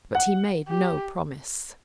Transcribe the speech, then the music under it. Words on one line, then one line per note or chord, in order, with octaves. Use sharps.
But he made no promise.
F#5
G4